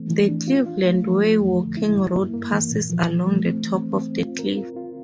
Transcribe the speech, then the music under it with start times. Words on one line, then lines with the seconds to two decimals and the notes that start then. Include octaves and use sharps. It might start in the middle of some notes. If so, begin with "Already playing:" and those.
The Cleveland Way walking route passes along the top of the cliff.
Already playing: E3 A3 C4
0.10 E3
0.28 D4
0.47 F4
0.66 F4
0.85 A3
1.03 F3
1.22 A3
1.40 F2
1.59 D3
1.77 E4
1.96 G2
2.15 A#3
2.34 A#3
2.52 E3
2.71 A#2
2.90 F3
3.08 F3
3.26 A3
3.45 C4
3.63 E3
3.83 C4
4.02 C4
4.20 F4
4.39 A#4
4.57 F4
4.76 F4